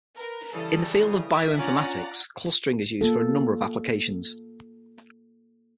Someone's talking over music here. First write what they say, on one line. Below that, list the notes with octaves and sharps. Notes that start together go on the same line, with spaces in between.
In the field of bioinformatics, clustering is used for a number of applications.
A#4 B4
C#3 E3 G3 E4 A4 D#6
E5 D6 B6
C#4 D4 F4 D5 F#5 A#5
A#3 F4 A4